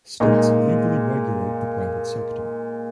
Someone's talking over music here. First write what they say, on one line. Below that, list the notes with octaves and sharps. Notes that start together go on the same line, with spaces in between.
States legally regulate the private sector.
A#2 G#3 D#4